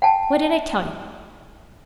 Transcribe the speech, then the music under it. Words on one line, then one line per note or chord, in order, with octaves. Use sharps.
What did I tell you?
F#5 G5 A5